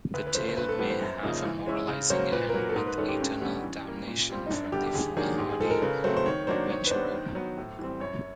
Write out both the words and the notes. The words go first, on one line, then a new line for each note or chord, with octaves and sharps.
The tale may have a moralizing end, with eternal damnation for the foolhardy venturer.
D2 B4
B4
C#3 F3 A3 C5
C5
G2 B4
A4
E3 G3 B3 B4
C5
F#2
C#3 F3 A#3 D#4
E3
G#3 C#4 E4
C#3
F#3 A#3 C#4 C5
A#2 B4
A#4
F#3 A#3 B4
A4
G#2 A#4
B4
D#3 G#3 C#4 A4
G4
G2 C#4
D3 G3 B3 C#4
E3
G3 A#3
A#2
G3 C4 F4
D#4
F#2 D4
D3 G3 B3 G4
G4
D#2 G#4
D#3 F#3 A#3 D4 G#4
G#2 G4
G#4
F3 G#3 A4
A#4
C#3 B4
F#3 A3 C4 C5
C5
D#3 C#5
F#3 A#3 D4 C5
D#3 C#5
B4
G3 B3 D4 C5
D#3
F#3 B3
A2
E3 G3 C4
F#2 C#5